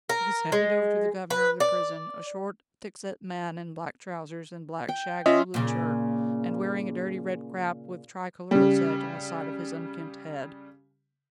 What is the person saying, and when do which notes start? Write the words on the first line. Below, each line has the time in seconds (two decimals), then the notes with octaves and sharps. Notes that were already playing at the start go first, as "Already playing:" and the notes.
She was handed over to the governor of the prison, a short, thick-set man in black trousers and black-shag woollen shirt, and wearing a dirty red cap, with tricolour rosette on the side of his unkempt head.
0.09 A#4
0.52 G#3
1.30 B4
1.60 D5
4.89 G5
5.26 C#4 F4 D#5 E5
5.54 A#2 C#3
8.51 C#3 G3